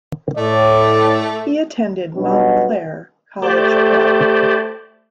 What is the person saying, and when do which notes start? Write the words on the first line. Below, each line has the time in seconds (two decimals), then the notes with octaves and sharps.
He attended Montclair College Prep.
0.37 A2 A3 D5
2.15 B1 G2 B2
3.42 A3 G4 C5 D5